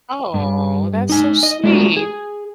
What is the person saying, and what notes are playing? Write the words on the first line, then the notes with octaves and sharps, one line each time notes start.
Oh, that's so sweet!
G2
D#4 G#5
D#5
G#3 A3 D4 F4 F#4
G#4